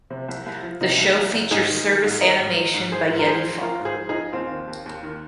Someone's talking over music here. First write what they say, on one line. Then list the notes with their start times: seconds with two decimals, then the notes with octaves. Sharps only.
The show features service animation by Yeti Farm.
0.10 C3
0.29 C2
0.46 C2
0.63 F3
0.81 C3 D#4
0.98 C2
1.16 C2
1.34 C2
1.51 G#2 D#4 G#4
1.69 D#3
1.86 D#3
2.04 G#2
2.21 D#3 A#4 D#5
2.39 G#2
2.57 D#3
2.74 G#2
2.92 F3 G#4 C5
3.09 G#2
3.19 A#4
3.27 F3 G#4 C5
3.44 F3
3.62 F3 F4 A#4
3.80 G#2
3.85 G#4 C5
3.98 F3
4.09 D#4 G#4
4.15 F3
4.32 D#2 C4 F4
4.50 D#3
4.68 D#2
4.86 D#2
5.03 D#3